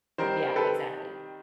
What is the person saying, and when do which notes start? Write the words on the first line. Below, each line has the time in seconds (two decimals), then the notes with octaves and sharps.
Yeah, exactly.
0.18 D#3 G3 C4 A#4 C5
0.56 A4 B4